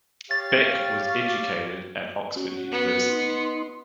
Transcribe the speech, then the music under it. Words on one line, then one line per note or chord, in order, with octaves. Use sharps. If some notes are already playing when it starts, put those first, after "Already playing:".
Bek was educated at Oxford University.
G4 C#5 F5 A6
C#4 F#4
B3
D#4 C6